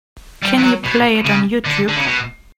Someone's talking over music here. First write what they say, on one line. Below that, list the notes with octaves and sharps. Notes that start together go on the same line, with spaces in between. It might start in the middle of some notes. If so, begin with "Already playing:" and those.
Can you play it on Youtube?
G3
E3
F#3
B2
C#3
D3
D3
C#3
B2